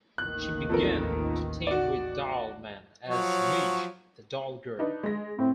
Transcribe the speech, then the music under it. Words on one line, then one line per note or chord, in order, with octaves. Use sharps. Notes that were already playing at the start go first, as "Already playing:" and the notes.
She began to team with Doll Man as Midge, the Doll Girl.
A1 D#2 D#3 F#6
F2 A4 A#4
F#4 D5
F3 F#3 C#5
D4 D#4 B4
G#3 A#6
A2 C4